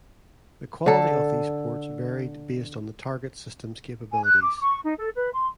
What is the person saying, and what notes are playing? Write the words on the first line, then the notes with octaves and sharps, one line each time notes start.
The quality of these ports varied based on the target system's capabilities.
D3 A4
G#5
F#6
D6
C#6
D#4
A4
B4
C6